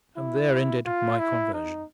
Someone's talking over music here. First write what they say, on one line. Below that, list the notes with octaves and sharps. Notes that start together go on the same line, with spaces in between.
And there ended my conversion.
E4
F4
E4
D#4